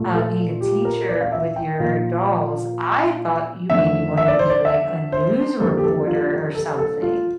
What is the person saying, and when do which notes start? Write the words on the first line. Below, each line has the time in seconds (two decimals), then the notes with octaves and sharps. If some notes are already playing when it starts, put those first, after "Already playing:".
uh, being a teacher with your dolls, I thought you maybe wanted to be, like, a news reporter or something.
Already playing: A#2 A3
0.14 A4
0.61 G4
0.85 A#4
1.09 D5
1.20 F5
1.32 E5
1.56 G5
1.80 A#2 F3 A#3 F5
3.70 F2 D3 A3 E5
4.17 E5
4.28 D5
4.39 C5
4.50 D5
4.65 E5
5.12 C5
5.60 F2 D3 G3 A#3 A4
5.77 G4
5.84 A4
6.07 F4
6.55 A4
6.78 A4
7.02 F4